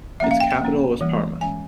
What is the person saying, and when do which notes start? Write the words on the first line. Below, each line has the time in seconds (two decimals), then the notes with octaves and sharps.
Its capital was Parma.
0.20 F3 A#3 C#4 E5
0.31 F5
0.40 G5
0.51 G5
0.62 F3 A#3 C#4
1.01 E3 G3 A#3
1.41 E3 G#3 C#4 G#5